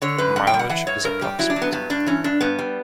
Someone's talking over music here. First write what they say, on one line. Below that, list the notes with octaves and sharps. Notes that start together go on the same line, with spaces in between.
Mileage is approximate.
D3 C#5
F#2 B4
F#2 F#5
G5
G3
F#5
E3 F#5
G2 C#5
G2 A#4
G3 G4
F#3 E4
D4
F#3
B3
G2 B3
G2 D4
E3 C#4
G2 D4
G2 B3
G3